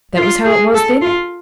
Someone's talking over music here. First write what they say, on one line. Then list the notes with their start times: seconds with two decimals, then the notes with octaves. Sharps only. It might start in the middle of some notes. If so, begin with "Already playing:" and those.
'That was how it was, then?'
0.16 F4
0.45 G#4
0.74 A4
1.01 F4